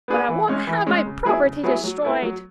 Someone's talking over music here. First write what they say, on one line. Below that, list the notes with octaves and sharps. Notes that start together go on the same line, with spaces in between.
"But I won't have my property destroyed."
B3 D4 G#4 B4
E3
G#3 C#4
E3
G#3 C#4
C#3
F#3 B3 E4 G#4
C#3
F#3 B3 E4 G#4
F#3
B3 E4 A4
F#3